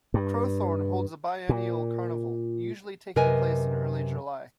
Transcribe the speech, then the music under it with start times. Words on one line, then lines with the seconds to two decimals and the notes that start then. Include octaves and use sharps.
Crowthorne holds a biennial carnival, usually taking place in early July.
0.14 G2
1.49 A#2
3.16 F#2 C3 A#4 B4 D#5 G#5